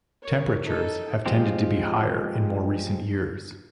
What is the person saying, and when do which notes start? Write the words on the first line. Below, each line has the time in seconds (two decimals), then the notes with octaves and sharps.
Temperatures have tended to be higher in more recent years.
0.22 A#4 C#5
0.65 D#4 A4
1.26 F3 G#3 C4 G4